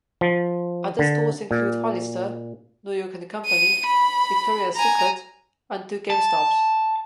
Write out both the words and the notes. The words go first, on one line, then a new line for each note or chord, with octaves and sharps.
Other stores include Hollister, New York and Company, Victoria's Secret, and two GameStop's.
F3
D3
A#2
D#7
B5
G#5 A#5
A5